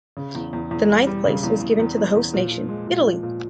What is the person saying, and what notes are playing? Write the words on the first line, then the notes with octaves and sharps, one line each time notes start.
The ninth place was given to the host nation, Italy.
C#3
E2
E2
E2
G3
G3
C#3
E2
E2
E2
E2
E2
A#2
F3
G#3
A#2
F3
A#2